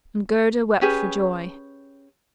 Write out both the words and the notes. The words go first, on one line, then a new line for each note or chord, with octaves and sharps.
And Gerda wept for joy.
C#4 G4 G#4 B4